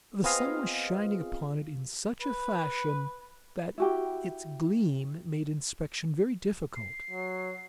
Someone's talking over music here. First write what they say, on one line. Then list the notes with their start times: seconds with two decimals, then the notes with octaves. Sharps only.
The sun was shining upon it in such a fashion that its gleam made inspection very difficult.
0.24 B3 C4 F4 G#4 D#5 F5
2.22 B4
3.78 E4 F#4 G4
6.75 C7
7.10 F#3